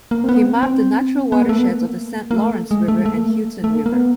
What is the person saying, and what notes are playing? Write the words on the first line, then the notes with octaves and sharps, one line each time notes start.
He mapped the natural watersheds of the Saint Lawrence River and Hudson River.
A#3
C4
B3
C4
C4
B3
A#3
A3
B3
A#3
A#3
A3
G#3
A3
A3
A#3
A3
A3
A#3
A#3
B3